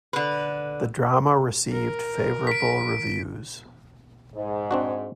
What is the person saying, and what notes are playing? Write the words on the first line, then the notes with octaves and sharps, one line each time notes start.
The drama received favorable reviews.
D3 B4
A#4
B6 D7
G#2
C4 D4 F#4